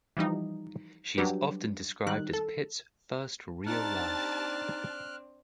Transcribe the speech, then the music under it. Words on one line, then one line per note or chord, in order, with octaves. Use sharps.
She is often described as Pitt's first real love.
E3 F3 G3 D#4
F#3 G3 D4 G4 B4
D#3 G3 F#6
A4
C4 D4 D#4 G4 A5 F6 F#6 A6